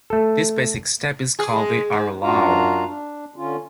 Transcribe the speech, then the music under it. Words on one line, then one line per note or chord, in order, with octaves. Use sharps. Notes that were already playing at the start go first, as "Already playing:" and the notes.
This basic step is called the arrollao.
A3 A4
G#4
G#3
G#2
F#2 D4 F4 F#4 F5 A#5
D4
D3 C#4 F4